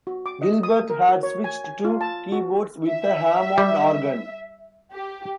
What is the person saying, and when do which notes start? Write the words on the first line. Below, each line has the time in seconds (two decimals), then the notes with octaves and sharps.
Gilbert had switched to keyboards with a Hammond organ.
0.07 F#4
0.26 D6
0.42 D#5
0.63 D#6
0.90 A#4
1.09 F#4
1.23 C#5
1.44 G#5
1.64 G#5
1.85 F4
2.01 A5
2.32 F#4
2.86 E5
3.58 G3
4.92 G4